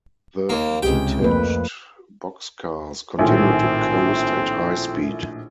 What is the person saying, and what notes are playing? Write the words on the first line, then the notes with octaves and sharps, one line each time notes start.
The detached boxcars continue to coast at high speed.
D#2 A#3 D#4
C#2 C3 G#3 G4 G#4 G5
F2 A3 A#3 B4
A#1 A2 D#3 C4